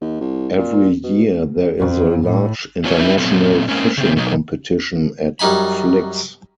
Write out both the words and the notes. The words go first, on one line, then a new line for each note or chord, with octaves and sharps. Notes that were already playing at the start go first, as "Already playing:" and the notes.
Every year there is a large international fishing competition at Flix.
D#2
C2
A#2
B2
F2
A2
F#3 C4 F4 C#5
D#4 E4 B4 E5
A#2 F#3 A3 B3 C4
G#3 A#3 C4 C#4
C#3 C4
B2 F#3 D#4
F#2 G3 D#4 G#5 B5